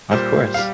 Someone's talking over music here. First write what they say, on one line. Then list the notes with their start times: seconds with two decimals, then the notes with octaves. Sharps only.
Of course.
0.11 A#2 G3 C5
0.54 F5
0.58 G3